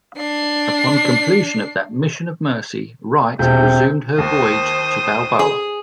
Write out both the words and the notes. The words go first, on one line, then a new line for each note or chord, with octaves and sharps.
Upon completion of that mission of mercy, "Wright" resumed her voyage to Balboa.
D4 C7
E1 C3 C4 G6
D#2 C5 D#6
G#4